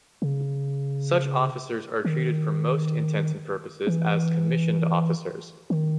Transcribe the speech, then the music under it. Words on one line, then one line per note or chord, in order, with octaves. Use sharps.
Such officers are treated for most intents and purposes as commissioned officers.
C#3
D#3
E3
D#3